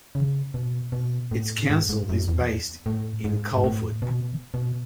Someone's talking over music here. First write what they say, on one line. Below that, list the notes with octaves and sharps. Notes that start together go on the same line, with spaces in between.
Its council is based in Coleford.
C#3
B2
B2
A2
G#2
G#2
F#2
E2
A2
G#2
G#2
A2
B2
B2